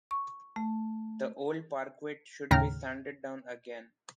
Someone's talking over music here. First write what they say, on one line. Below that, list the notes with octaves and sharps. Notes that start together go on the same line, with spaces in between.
The old parquet should be sanded down again.
C#6
A3
D#2 A2 C#3 G5 A#5 F6